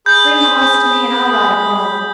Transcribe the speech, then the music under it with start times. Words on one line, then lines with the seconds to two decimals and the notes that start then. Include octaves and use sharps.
Bring the hoss to me, an' I'll ride him home.
0.06 G#4 B5 G6